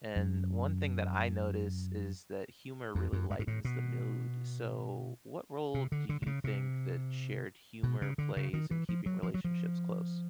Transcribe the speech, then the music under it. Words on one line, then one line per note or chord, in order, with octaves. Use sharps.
And one thing that I notice is that humor really lightens the mood. So, what role do you think that shared humor plays in keeping relationships close?
F#2
F2
F#2
G2
G#2
A2
B2
C3
D3
D3
C3
C#3
C3
B2
C#3
D3
C#3
D#3
E3
F3
F#3
F3
F#3
F3